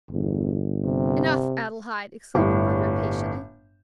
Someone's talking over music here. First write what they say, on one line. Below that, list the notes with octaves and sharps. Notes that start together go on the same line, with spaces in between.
"Enough, Adelaide!" exclaimed her brother, impatiently.
G1 E2
C3
G1 A2 G3